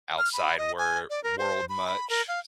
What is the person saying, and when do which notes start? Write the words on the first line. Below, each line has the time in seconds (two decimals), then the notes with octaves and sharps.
outside wer world much,
0.18 F6
0.33 B5
0.58 D#5
0.79 G#5
1.10 D5
1.24 A#4
1.38 C5
1.69 B5
1.87 B5
2.10 A#4
2.28 F5